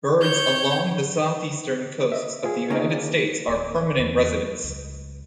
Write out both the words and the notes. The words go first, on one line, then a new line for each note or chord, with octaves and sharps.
Birds along the southeastern coasts of the United States are permanent residents.
C#5 G6
D#5 E5
F4 G#4
C#3 A#3 D#4
D#2
D1
E2
C#2